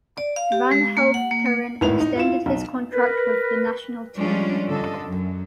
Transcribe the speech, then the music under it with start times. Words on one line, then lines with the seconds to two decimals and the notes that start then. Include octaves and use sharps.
Van Helfteren extended his contract with the national team.
0.18 D5
0.36 F5
0.52 G4
0.71 G#3
0.97 A#3
1.14 F#5
1.31 A#3
1.46 A#3
1.81 G#1 A2 E4 B4 F7
2.00 D#4
2.15 E4 F4 E7
2.46 B1
2.93 A#4 B4
4.15 F3 G3 G#3 C#4 D4 F4
4.67 G2 D3 A4 D#5
5.03 F#2